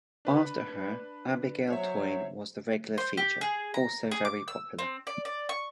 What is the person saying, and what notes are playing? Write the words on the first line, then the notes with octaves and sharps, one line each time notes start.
After her Abigail Toyne was the regular feature, also very popular.
D4 B4 B5
F#3 C5 C#5 E5
C5
G4
G#4
A#5
G#4
D6
E6
C4
D5
D5
C#6